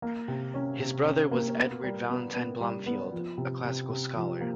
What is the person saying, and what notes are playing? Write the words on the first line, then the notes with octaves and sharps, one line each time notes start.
His brother was Edward Valentine Blomfield a classical scholar.
A#3
C3
C#4
C3
C#4
A#3
B3
G3
B3
B3
G3
B3
F3
C3
C3
C3
F3
A#3